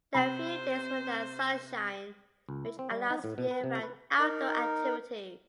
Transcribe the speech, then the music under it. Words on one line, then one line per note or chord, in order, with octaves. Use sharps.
There are few days without sunshine, which allows year-round outdoor activities.
C3 C5 B5
C#2
E4
C4
G3
D#4
A2
B2
B4
C3
B4
D#4 A#4